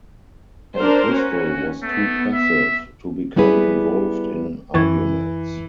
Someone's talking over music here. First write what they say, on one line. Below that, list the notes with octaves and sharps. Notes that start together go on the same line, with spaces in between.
Entwistle was too passive to become involved in arguments.
D4 A#4 C5
C#4 F#4
A3 B3
E5
G3 B3 E4 G#4 B4
F#2 E3 C#6 G#6